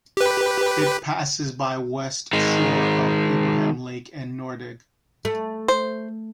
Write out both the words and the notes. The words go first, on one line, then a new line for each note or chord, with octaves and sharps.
It passes by west shore of Abraham Lake and Nordegg.
G4 B4
D#3 G#3
A3
C5